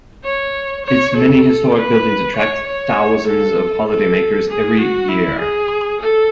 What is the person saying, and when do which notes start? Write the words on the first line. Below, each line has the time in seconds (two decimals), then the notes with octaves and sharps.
Its many historic buildings attract thousands of holidaymakers every year.
0.24 C#5
0.85 C#5
1.16 A4
1.76 B4
2.36 C#5
2.66 C#5
3.26 A4
3.88 A4
4.49 G#4
4.78 F#4
5.08 E4
5.40 G#4
6.00 A4